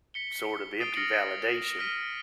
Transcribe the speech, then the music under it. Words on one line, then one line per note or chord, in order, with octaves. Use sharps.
sort of empty validation
B6 C#7 G7
D#6 A6 C7 D7 D#7 G7
D#6 F6 A#6 C7 C#7 F#7
F6 B6 D#7